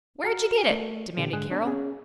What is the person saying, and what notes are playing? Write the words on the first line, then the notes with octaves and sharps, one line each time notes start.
"Where'd you get it?" demanded Carroll.
F#4 A#5 F6
A3 A#4
A#2 D3 G4
G#2 D3 G#3 G#4 F#6
B3 D4
C#4 G#4